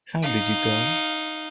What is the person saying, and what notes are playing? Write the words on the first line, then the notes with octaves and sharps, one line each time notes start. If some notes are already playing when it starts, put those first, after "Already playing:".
How did you go?
D#4 F5